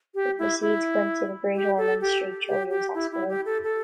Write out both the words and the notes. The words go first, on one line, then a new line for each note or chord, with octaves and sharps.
The proceeds went to The Great Ormond Street Children's Hospital.
G4
E4
E4
G4
A4
G4
G4
G4
E4
E4
G4
A4
A4